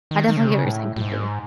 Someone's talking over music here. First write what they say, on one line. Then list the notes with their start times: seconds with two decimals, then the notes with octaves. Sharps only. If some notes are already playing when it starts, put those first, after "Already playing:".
I definitely get what you're saying completely.
0.11 D#3
0.29 D#3
0.36 C#3
0.43 C3
0.50 C#3
0.65 A2
0.96 A2
1.01 G#2